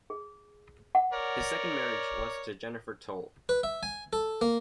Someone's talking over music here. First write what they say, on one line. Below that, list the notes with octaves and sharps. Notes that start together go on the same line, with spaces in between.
His second marriage was to Jennifer Tole.
G#4
F#5
A#4 C#5 D5
B4
E5
G#5
A4
A#3